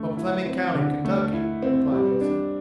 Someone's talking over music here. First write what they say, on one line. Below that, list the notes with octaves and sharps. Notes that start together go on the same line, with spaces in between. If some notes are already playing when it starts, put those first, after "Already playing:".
"From Fleming County, Kentucky," replied Wilson.
Already playing: D3 A3
E4
C4
D3
A3
E4
C4
G3
D4